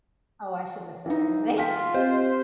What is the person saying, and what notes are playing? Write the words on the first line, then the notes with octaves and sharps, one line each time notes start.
Oh, I shouldn't have said anything.
E3 D#4
F4 F5 G5 B6
C4 G4 C5 D#5